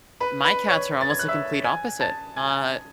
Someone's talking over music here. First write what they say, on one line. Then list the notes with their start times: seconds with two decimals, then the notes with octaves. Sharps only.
my cats are almost the complete opposite, uh,
0.20 B4 B5
0.45 B4 B5
0.69 C#5 C#6
1.01 A6
1.10 G#6
1.19 F#6
1.28 E5 E6
1.65 G#5 G#6
2.00 A5 A6
2.37 G#5 G#6